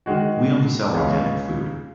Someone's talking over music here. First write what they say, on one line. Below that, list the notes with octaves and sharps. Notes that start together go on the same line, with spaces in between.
We only sell organic food.
D#3 G#3 F#4
C#2 C#3 G#3 C#4